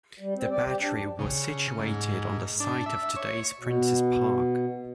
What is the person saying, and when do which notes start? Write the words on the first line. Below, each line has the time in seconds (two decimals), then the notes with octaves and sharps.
The battery was situated on the site of today's Princes Park.
0.20 G3
0.36 C4
0.50 D5
0.64 G4
0.80 D4
0.93 F2
1.19 C#3
1.79 G#2
2.60 D4
2.86 E5
3.16 C#5
3.59 B2